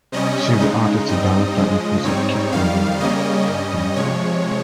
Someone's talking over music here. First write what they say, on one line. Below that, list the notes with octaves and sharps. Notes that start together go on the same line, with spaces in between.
She is the artistic director and producer of Keep Frozen: Pochsy Productions.
C3 G3 C#4 D#5
C#3 G#3 D#4
G2 G3 C4 D#4 D#5
C#3 F3 G#3
G#2 G3 C4 D#4 C#5
F2 D#3 G3 F5
C#3 G3 A#3 C#4 D#5
G2 G3 C#4
C3 F3 G#3 C#5